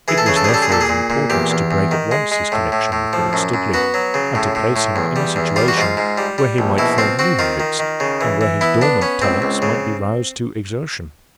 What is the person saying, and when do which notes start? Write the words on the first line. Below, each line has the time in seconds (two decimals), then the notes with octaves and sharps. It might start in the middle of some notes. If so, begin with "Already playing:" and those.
It was therefore of importance to break at once his connexion with Lord Studley, and to place him in a situation where he might form new habits, and where his dormant talents might be roused to exertion.
0.08 E3 G#4
0.18 A4
0.26 C#3 G#4
0.36 A4
0.44 G#4
0.49 G3
0.54 A4
0.62 G#4
0.69 A#2 A4
0.81 G#4
0.89 A#2
1.10 A#2
1.30 E2 G4
1.50 E2
1.71 E2
1.91 D#3
2.11 G#3
2.31 G#3
2.52 A2
2.72 A2
2.92 A2
3.13 F3
3.33 F#2
3.54 F#2
3.74 B3 F#4
3.94 F#3
4.14 C#3
4.35 A2
4.55 A2
4.76 A2
4.96 E2
5.16 G3
5.36 E2
5.56 G3 F4
5.68 F#4
5.77 G#2 F4
5.97 G#2
6.18 G3
6.38 G3
6.58 A#1
6.78 B2 E4
6.98 C4 F4
7.19 C4 F#4
7.39 D#3 F4
7.60 D#3
7.79 D#3
8.00 C#3
8.21 E3
8.41 E3
8.61 B3 E4
8.81 B3 D4
9.02 B3 C#4
9.22 C#2 C4
9.42 C#2
9.62 C#3